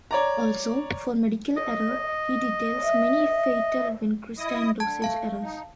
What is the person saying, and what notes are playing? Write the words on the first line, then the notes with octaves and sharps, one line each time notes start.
Also, for medical error, he details many fatal vincristine dosage errors.
C#5 D5 A#5
D#5
E5
E4 D#5 D#6
D3 A5 G#6
A3 F5 A5
D#4